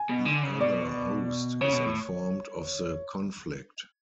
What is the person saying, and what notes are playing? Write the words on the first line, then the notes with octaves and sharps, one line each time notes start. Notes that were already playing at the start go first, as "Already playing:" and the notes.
The other host is informed of the conflict.
Already playing: G#5
B2
D3
C#3
B2 D5
C#3 C#5
B2
A2